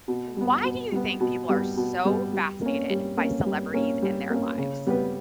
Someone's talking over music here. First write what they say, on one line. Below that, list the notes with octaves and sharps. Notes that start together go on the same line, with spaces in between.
Why do you think people are so fascinated by celebrities and their lives?
B2
G3 B3
B2
G3 B3
B2
G3 B3
B2
G3 B3
G3
A#3 C#4
G3
A#3 C#4
G3
A#3 C#4
G3
A#3 C#4
C#3
G3 B3 G4 B4